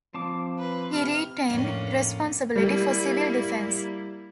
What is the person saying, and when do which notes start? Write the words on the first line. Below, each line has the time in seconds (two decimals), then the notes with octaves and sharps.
He retained responsibility for civil defence.
0.14 F3 C4 A5 D6
0.59 B4
0.93 C3 F6
1.50 F2 A2 A#3 C#4 D4
2.56 G3 A#3 E4